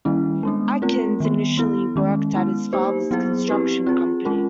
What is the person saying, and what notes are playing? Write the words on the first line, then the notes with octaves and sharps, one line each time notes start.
Atkins initially worked at his father's construction company.
D#3 G3 A#3 C#4 E4
G#3 B3 D4
A3 C4 F4 A#4
D#3 G3 B3
B3 E4 A4
D#3 G#3 C#4
G#3 B3 E4
A#3 D#4 G4 C5
F#3 B3 E4 G#4 C5
C4 E4 G4 B4
C4 F4 G#4
G#3 C#4 F4 A#4